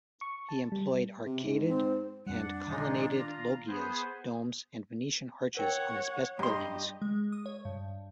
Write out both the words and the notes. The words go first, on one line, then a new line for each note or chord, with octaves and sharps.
He employed arcaded and colonnaded loggias, domes, and Venetian arches on his best buildings.
C#6
A5
G3
C3
G#2
C4
F2 G3 D4 F#5
A#2 D#3 G#3 D#4
F4 A#5
B3 G#4 C5
A#4 C#5 F#5 G5
G2 G4 D#5 A#5 C6
G#3
D#6
C#5
G2